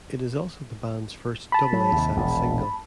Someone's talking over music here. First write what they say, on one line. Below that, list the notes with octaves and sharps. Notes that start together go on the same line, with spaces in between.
It is also the band's first double A-side single.
A5 B5
F#3
D#2 C3
E1 A#1